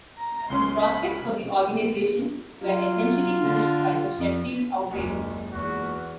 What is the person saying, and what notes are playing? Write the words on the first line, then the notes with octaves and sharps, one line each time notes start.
The prospects for the organisation were essentially finished by the Sheffield Outrages.
A#5
C#2 C#4 C6
B5
F#3 F4
D3
F2
F#1 D#2 A#2 G3 G#3
E2 F#4